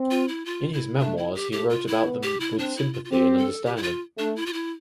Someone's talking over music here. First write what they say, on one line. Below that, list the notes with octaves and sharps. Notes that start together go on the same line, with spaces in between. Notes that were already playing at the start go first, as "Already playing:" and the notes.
In his memoirs he wrote about them with sympathy and understanding.
Already playing: C4
F4
E4
F4
E4
A3 D4
E4
G4
A3 G4
F4
E4
B3
G4
E4
C4 D4
E4
F4
F4
C4 G4
A4
G4
E4
F4
A3 D4
E4
F4
E4